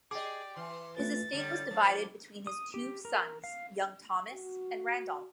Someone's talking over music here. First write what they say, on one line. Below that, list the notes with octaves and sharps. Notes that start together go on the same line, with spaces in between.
His estate was divided between his two sons, young Thomas and Randolph.
G4 G#4 D5 D#5 D6
E3 C6
A3 F4 B4 A6
D3 G3 C#5
F3 A#3
D#6
G4
A#4
F5
F#4